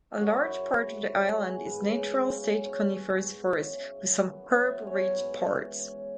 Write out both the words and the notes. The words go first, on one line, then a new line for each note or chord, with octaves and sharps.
A large part of the island is natural-state coniferous forest, with some herb-rich parts.
F#2 F#4
E4
F#3 F#4
C#3
F#2
B3
F#3
C#3
B3
G#4
E3
G#2 B4
C#4
F#3
C#3
C#4
F#3
B2 C#5
C#4
G#3
G#2
B3
F#3
C#3 E5
C#4
G#3
F#2
B3
F#3
B2 E5
C#4
C#5
F#3
G#2 B4
B3
E3
B2
C#4
F#3